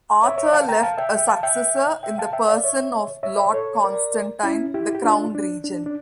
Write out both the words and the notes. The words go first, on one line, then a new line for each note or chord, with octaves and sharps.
Arthur left a successor in the person of Lord Constantine the Crown Regent.
C#5 E5
C#5 E5
F5 A5
G5 A#5
F5 A5
E5 G5
E5 G5
F5 A5
E5 G5
E5 G5
F5 A5
E5 G5
D5 F5
C#5 E5
C#5 E5
A4 C#5
A#4 D5
C#4 E4
E4 G4
G4
D4 F4
D4
D4
D4